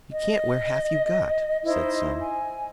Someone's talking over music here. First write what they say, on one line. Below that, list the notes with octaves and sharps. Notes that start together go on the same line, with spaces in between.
"You can't wear half you've got," said some.
D#5
D#4 E4 C5 D#5
G#5